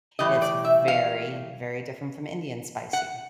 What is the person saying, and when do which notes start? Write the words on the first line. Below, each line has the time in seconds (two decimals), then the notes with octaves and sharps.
it's very, very different from Indian spicy.
0.19 A2 E3 G3 D#5
0.42 D5
0.65 E5
0.88 F5
2.93 F#5